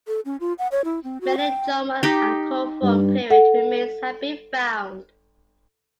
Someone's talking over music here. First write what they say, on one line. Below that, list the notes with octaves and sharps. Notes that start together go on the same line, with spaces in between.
Many Jomon and Kofun period remains have been found.
A4
C#4
F4
F#5
C#5
E4
C4
F#4
G5
D#4 G4
G2
A4 F#5